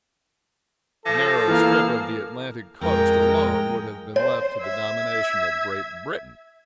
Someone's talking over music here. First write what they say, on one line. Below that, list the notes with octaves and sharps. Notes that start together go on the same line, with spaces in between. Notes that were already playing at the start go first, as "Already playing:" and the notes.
The narrow strip of the Atlantic coast alone would have been left to the domination of Great Britain.
F3 A4 A#6
E3 A#3 F6
F2 G#3 A#4 G5
C5 C#5
E5 G#6